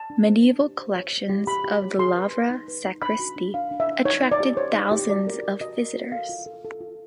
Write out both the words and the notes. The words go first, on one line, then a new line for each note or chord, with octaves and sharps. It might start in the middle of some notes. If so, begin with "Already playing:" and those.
Medieval collections of the Lavra sacristy attracted thousands of visitors.
Already playing: A5
D4
C5
D4
G4
C5
C#5
C#5
G4
G4 B5
G4
C#5
G#4 C6
B4
B4
D#4
B4
D#4
D4 B5
F#4
D4
D4 F5
D4
E5
D4
D#4 C#5
D#4
D5
G4
C5 C#5
D#4
G4
F#4 D5
A#4
A#4
F#4 D#5
A#4
F#4
A4 F5
F4
A4
A4
F4